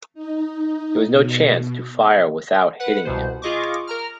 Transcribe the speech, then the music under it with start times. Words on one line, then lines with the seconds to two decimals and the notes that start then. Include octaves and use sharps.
There was no chance to fire without hitting him.
0.14 D#4
1.03 B2
2.80 B4 F#5
3.05 C2 B2 C5
3.42 F4 G#4 D#5 C#6 D6
3.87 A#4 A#5 F6